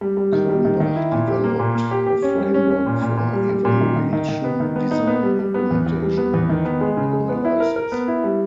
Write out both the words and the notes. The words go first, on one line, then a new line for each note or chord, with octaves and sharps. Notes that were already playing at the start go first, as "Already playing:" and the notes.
Cronbach developed a framework for evaluation design, implementation and analysis.
G3
G3
D#3
G3
D#3
D#3
E4
A#2
G4
A#3
A#2
A#3
G4
G4
C#4
G3
C#4
C#4
A#2
A#2
A#2
G3
G3
A#2
D#3
D#3
D#3
D#3
B3
D#3
B3
D#4
B3
G3
G3
B3
E2
E2
G3
B3
E2
D#3
B3
G#3
C#3
G#3
B3
E4
A#4
A#4
B3
E4
G3